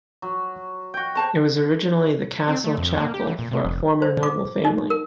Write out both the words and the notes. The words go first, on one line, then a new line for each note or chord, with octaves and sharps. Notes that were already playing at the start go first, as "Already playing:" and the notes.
It was originally the castle chapel for a former noble family.
F#3
F#4 G5
C5 A5 A#5 C#6
C4
A3
F2
A#3
G4
E3
A#2
C3
F1
C5
D6
D#4
A#4